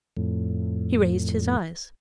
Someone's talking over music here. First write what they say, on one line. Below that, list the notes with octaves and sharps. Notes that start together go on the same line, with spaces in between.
He raised his eyes.
F2 A2